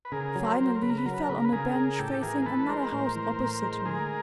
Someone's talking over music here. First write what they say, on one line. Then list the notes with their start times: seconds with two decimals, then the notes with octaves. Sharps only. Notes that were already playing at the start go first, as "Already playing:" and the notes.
Finally he fell on a bench facing another house opposite me.
0.05 B4
0.12 C#3 G#4 A#4
0.35 F#3
0.44 A#4 C5
0.59 F#3
0.75 A#4
0.82 C#3 B4
0.90 A#4
0.98 B4
1.06 F#3 A#4
1.14 B4
1.22 A#4
1.29 C#3 B4
1.37 A#4
1.45 B4
1.53 C#3 G#4 A#4
1.75 C#3
1.99 A2 G4 A4
2.22 E3 G#4 A#4
2.42 A#4
2.46 E3 A4 B4
2.69 G#3 A#4 C5
2.92 A2 A#4 C5
3.16 E3
3.38 A2
3.62 G#3
3.85 D3 G#4 A#4